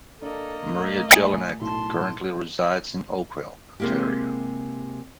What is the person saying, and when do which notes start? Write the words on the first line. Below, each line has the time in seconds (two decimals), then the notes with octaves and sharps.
Maria Jelinek currently resides in Oakville, Ontario.
0.22 A#3 D4 A4 D5 D#5
0.74 A#2 A3
1.08 E5 G#5 D#6
1.61 B1 A2 A5 C6
3.80 C3 G#3 A#3 E4 G4